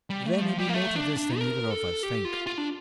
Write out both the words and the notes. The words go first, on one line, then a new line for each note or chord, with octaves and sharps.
There may be more to this than either of us think.
G3
A3
F3
G3
A#3
A3
D4
D4
A#4
A4
G4
F4
F4
D4